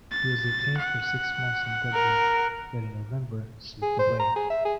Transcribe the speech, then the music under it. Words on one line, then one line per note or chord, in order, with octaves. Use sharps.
He was detained for six months in Dublin, but in November slipped away.
A6
F#5
A#4
G#4
C5
A#5
G#4
E5
G#4